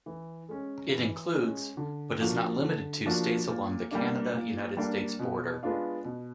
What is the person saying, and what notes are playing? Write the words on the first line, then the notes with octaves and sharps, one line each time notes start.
It includes, but is not limited to, states along the Canada-United States border.
E3
G#3 C#4
E3
G#3 C#4
D3
F3 A#3 D4 F#4
D3
F3 A#3 D4 F#4
A#2
G3 A#3 D4
A#2
G3 A#3 D4
B2
G#3 B3 D4 F4
B2